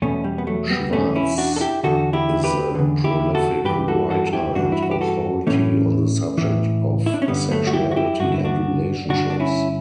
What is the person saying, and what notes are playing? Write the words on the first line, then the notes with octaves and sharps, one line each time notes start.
Schwartz is a prolific writer and authority on the subject of sexuality and relationships.
E2 B2 A3 C#4
G3
B3
F#3 A3
G3 B3
E2 B2 A3 C#4
C#4 E4
D4 F#4
A4
E4 G4
E2 D3 F#4 A4
E4 G4
G4 B4
E2 D3
E4 G4
F#4 A4
G2 E3 G4 B4
F#4 A4
F#4 A4
A4
E4 G4
G2 E3 D4 F#4
E4
F#4
G4
F#4 A4
A2 E3 A3 C#4
A2 E3
E4
D4
C#4
G2 D3 G3 B3
F#3 A3
F#4
E4 G4
F#4
E4 G4
G2 D3 F#4
E4
D4 F#4
G2 D3 D4 F#4
D4
C#4 E4